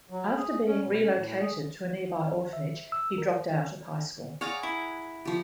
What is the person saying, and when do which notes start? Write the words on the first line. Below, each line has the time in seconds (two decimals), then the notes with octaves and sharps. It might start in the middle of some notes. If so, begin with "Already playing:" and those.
After being relocated to a nearby orphanage, he dropped out of high school.
0.10 F#3
0.36 G#4
0.66 C#4
0.84 B2
1.02 C#4
1.14 A2
1.41 G#4
2.53 E5
2.92 E6
3.18 A#4
4.41 G#4 C#5 D5 F5 F#5 A#5
4.63 E4
5.25 F3 G4